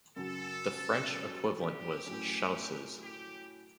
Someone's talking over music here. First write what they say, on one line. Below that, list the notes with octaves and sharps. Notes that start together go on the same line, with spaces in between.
The French equivalent was "chausses".
F#2 C#3 F#3 A4
G4
A2 F#3 A3 C#4
G4